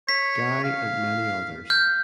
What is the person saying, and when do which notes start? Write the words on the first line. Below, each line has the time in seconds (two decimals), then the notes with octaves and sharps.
Guy and many others.
0.09 C#5 B6
0.64 F5
1.70 F6 G6